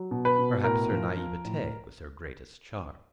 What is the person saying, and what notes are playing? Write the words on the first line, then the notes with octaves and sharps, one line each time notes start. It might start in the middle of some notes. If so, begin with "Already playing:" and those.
Perhaps her naivete was her greatest charm.
Already playing: F#3
B2
B4
B2
A2 A#4
F3
F3
A2